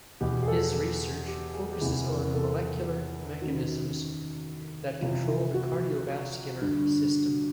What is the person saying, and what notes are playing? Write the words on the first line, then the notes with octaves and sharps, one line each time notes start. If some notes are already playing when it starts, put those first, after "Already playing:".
His research focuses on the molecular mechanisms that control the cardiovascular system.
E2 B2 G4
G#4
A4
A4
G4
G#4
G4
E2 C3 E3 G#4
A#4
A4
G#4
F#2 D#3 F#4
F2 C3 E3 F4
E4
F#4
G2 D3